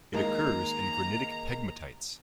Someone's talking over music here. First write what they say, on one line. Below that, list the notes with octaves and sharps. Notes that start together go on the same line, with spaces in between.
It occurs in granitic pegmatites.
D#3 G#3 A#3 A#5